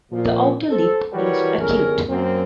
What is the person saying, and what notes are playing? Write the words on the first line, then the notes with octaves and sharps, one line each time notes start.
The outer lip is acute.
A#2 F3
A4 C5
E3 G3 F#4 A#4 B4 C#5
G1 F2 C#4 G#4 A#4
F#2 A#3 C4